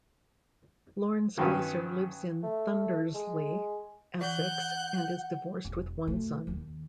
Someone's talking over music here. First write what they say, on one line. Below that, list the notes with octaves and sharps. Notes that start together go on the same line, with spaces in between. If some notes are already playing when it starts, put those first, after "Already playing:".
Lorne Spicer lives in Thundersley, Essex, and is divorced with one son.
G2 D#3 F#3 B3 C#4
A3
G#3
E3 F#5 F#6 G6
E1
B2 A3
D#2 D#3